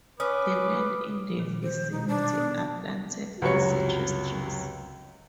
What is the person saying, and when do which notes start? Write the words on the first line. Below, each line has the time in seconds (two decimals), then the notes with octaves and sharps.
The land in the vicinity are planted in citrus trees.
0.20 C#4 B4 D6 D#6 F6
1.36 A#2 D#3
1.63 C5
1.92 B2 D#4
2.08 D4
2.39 B3 D#6
3.42 C#2 F#2 C3 F#4 C#5 C#7